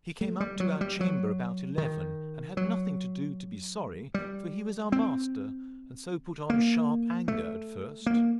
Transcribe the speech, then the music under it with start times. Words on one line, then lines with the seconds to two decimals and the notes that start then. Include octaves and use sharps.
He came up to our chamber about eleven, and had nothing to do to be sorry; for he was our master, and so put on sharp anger at first.
0.21 A3
0.40 G3
0.60 F#3
0.81 G3
1.00 F#3
1.78 D#3
2.57 F#3
4.14 G3
4.92 C4
6.50 A#3
7.28 A3
8.06 A#3